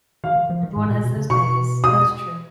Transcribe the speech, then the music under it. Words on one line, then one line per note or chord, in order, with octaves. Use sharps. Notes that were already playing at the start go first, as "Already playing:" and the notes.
Everyone has those days. That's true.
D#3 F5
D#3
F3
D#3
G#2
A#2
B2
C#3
B2 C#6
D#6